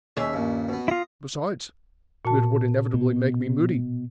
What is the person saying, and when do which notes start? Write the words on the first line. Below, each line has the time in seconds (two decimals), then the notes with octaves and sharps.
Besides, it would inevitably make me moody.
0.17 D#2 C#4 G#4 E5
0.33 G2 A#2
0.69 B2 B3
0.88 E4 F4 A#5 D#6
2.25 A#2 F#4 A5
2.94 B2